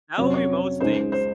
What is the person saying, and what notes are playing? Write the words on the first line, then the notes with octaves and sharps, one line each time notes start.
that would be most things.
F2 C3 F#3 C#4 C#5
C#5
C#2 C#3 G#3 D#4 G#4 C5
C5